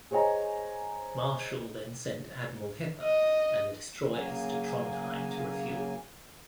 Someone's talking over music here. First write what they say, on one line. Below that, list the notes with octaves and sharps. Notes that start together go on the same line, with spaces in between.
Marschall then sent "Admiral Hipper" and the destroyers to Trondheim to refuel.
G#4 C5 C#5 D#5 G#5 A#5
D#5
C#3 F#3 A#3 G#5